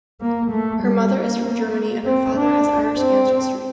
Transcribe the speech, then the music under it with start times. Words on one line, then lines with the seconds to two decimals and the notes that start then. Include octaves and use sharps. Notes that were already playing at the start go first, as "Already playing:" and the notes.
Her mother is from Germany and her father has Irish ancestry.
0.21 A#3
0.51 A3
0.83 G3
1.14 A#3
2.05 C4
2.36 D4
2.98 C4